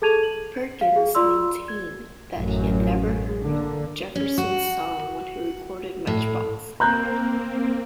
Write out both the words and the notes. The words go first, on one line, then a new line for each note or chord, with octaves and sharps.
Perkins maintained that he had never heard Jefferson's song when he recorded "Matchbox".
G#4 A4 A5 G#6 D#7 F7
F#7
F5
G#4
F4 D5 C6 E6
G#6
A1 F#2
D3 A#3
C#4
F#4
A2
A#3 C4 A#5 F#6 G6